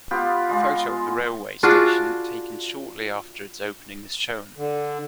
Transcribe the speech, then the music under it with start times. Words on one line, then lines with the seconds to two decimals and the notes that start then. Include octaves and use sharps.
A photo of the railway station taken shortly after its opening is shown.
0.11 B3 F4 G4
0.49 G#3 F4
1.63 D4 F4 F#4 G#4
4.57 D3